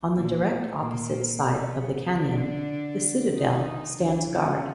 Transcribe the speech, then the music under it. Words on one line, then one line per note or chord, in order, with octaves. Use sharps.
On the direct opposite side of the canyon The Citadel stands guard.
A#2 A#3
A2 A3
A#2 A#3
B2 B3
D3 D4
D#3 D#4
D3 D4
C#3 C#4